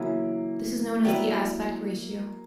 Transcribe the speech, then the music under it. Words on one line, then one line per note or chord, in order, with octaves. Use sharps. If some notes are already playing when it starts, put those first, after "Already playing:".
This is known as the aspect ratio.
Already playing: C#3 E3 F#3 A#3 B3 E4
F#3 G3 A#3 B3 E4 B4